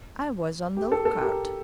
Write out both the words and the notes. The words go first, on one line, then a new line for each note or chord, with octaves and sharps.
I was on the look-out.
G4
A4
A4
G4 A#4